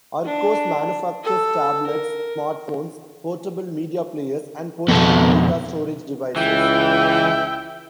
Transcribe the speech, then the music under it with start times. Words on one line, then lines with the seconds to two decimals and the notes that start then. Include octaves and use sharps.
Archos manufactures tablets, smartphones, portable media players and portable data storage devices.
0.25 D4
1.23 A4
1.87 A#4
4.88 F2 B2 B3 A4
6.36 C#2 E3 E4 G5